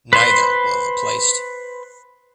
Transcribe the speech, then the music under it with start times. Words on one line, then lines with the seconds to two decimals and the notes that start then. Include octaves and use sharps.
Neither were replaced.
0.13 B4 C5 C6